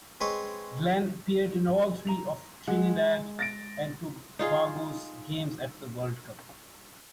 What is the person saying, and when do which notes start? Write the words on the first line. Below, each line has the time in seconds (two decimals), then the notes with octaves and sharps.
Glen appeared in all three of Trinidad and Tobago's games at the World Cup.
0.21 G#3 C4 B4 C#5
2.07 A#5 F7
2.68 G#3 F#5
3.39 A6 A#6 D7
4.39 D#4 F4 G#4